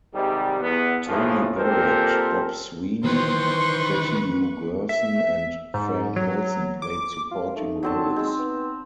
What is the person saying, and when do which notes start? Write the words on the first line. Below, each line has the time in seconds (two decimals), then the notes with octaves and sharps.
Tony Barrett, Bob Sweeney, Betty Lou Gerson, and Frank Nelson played supporting roles.
0.14 G#2 C3 D#3 G3
0.61 E2 B3
1.07 B1 A2 C#3 E3 F3
1.57 A#2 C4 G4 A4 A#4 C5
3.04 D#3 E3 B4 C5 C6 C#6
4.89 E5
5.74 G#2
6.16 F#3
6.82 D6
7.31 F4
7.56 A3 D#4
7.83 D3 F#3 C4 A5
8.16 G#3 C4
8.39 B3